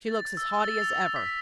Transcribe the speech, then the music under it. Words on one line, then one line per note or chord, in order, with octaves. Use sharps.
She looks as haughty as ever.
A6
E6
A6
F7
B6